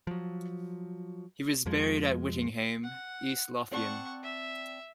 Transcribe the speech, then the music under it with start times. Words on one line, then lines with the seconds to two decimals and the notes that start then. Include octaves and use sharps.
He was buried at Whittinghame, East Lothian.
0.07 F3 F#3
1.66 F2 F3 G#3
2.84 F#5
3.71 C4 D5 F#5 A5 C#6
4.23 E5